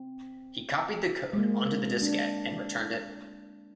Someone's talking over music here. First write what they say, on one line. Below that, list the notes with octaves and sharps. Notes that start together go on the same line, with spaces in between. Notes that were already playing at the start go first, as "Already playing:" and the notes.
He copied the code onto the diskette and returned it.
Already playing: C4
G#3
A#3
C4
D4